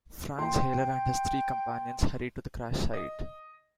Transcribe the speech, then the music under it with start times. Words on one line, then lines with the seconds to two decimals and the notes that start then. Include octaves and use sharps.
Franz Hailer and his three companions hurried to the crash site.
0.39 G5 C6
2.94 D#5